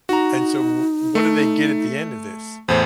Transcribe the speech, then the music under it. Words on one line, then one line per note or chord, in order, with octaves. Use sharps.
and so w what do they get at the end of this?
D#4 F#4 A#5
A3
E2 A2 C5